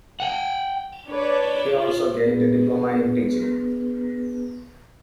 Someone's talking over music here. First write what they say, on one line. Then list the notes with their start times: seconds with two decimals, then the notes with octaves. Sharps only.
He also gained a diploma in teaching.
0.20 F#5 G5
1.07 D4 B4 C#5 D5
1.69 F4
2.24 B3 D4 G#4 B4